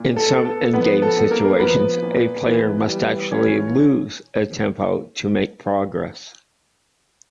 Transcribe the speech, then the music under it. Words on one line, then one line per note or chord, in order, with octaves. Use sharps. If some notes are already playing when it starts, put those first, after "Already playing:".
In some endgame situations, a player must actually "lose" a tempo to make progress.
Already playing: A#2
A4
B3
A4
F3 B3 B4
A4
B3
A#3 A#4
F3 B3 B4
A#2
E3
G3
E3 C#4 C#5